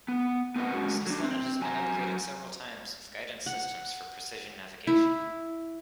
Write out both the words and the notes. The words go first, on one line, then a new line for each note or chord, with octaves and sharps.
Since then, it has been upgraded several times with guidance systems for precision navigation.
B3
B3 C4 A#4 B4 D#5 F#5
G#3 C#4 F#4
F#3 D4
C4
F#3 G#5 A#5
F#5
E4